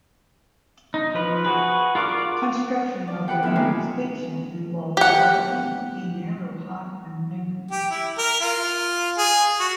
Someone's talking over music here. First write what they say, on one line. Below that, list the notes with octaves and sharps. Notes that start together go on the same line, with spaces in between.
Construction of the new station involved widening a narrow, high embankment.
D#4
F3 B4
F#4 G#4 B4
F4 A#4 D5 C#6 D6
D5
G4 B4 C5 F#5 G5
D#2 A2 B3 E4 E5 G5
D#3 F3 C4 C#4 D#4 F4
G4 F#5
G4
E4
A#4
F4
G#4
F#4